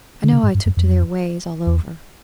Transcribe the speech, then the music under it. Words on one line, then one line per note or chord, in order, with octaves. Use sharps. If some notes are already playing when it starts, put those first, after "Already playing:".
I know I took to their ways all over.'
D3
C#3
G#2
G2
F#2
F2
E2